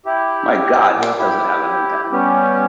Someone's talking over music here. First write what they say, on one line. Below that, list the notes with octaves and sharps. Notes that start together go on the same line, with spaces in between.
my god, does it have an impact.
E4 G4
A#2 D6
E4 G4
G3 B3 C#4 G4